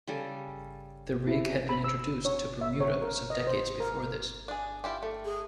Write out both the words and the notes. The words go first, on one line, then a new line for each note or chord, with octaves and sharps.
The rig had been introduced to Bermuda some decades before this.
C#3 G3 A4
E4
B5
E6
C#5
E5
C#5
A#4
D#5
C5
A#4
D4 G#4
E4 F4 G4
A3
G#4